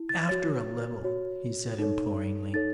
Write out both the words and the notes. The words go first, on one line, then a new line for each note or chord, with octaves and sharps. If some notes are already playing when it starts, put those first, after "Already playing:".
"After a little," he said imploringly.
Already playing: E4
A6
F#4 C#5 A6
F#4 C#5
D#4 A4 C#5
D#4 A4 C#5 A6